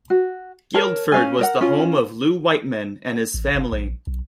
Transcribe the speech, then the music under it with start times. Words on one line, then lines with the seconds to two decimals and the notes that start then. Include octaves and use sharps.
Guildford was the home of Lew Whiteman and his family.
0.10 F#4
0.74 A#4 C#5 A5
1.12 C#4 F5 G#5
1.39 A#4 D5 F#5
1.61 C#4 F4
3.34 A1
3.55 F#1
3.72 A#1
4.07 B1